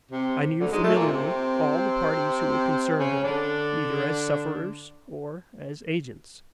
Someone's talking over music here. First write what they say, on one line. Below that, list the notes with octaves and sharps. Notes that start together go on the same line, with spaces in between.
I knew familiarly all the parties who were concerned in it, either as sufferers or as agents.
C3
D2 D3
G#2 G#3
A2 A3
A#2 A#3
C3 C4
C#3 C#4
D3 D4